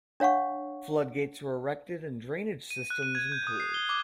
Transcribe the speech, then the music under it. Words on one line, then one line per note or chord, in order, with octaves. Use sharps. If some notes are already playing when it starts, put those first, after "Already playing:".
Flood gates were erected and drainage systems improved.
D4 C#5 F5 F#5 C#6
D#7
F#6
D#7
G#6
G6
D#6
C7
G7
D6